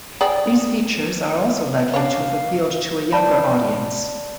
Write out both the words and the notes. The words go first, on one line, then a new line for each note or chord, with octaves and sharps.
These features are also likely to have appealed to a younger audience.
G#4 D5 G5
D4 C#5 F5
D5 A5 B5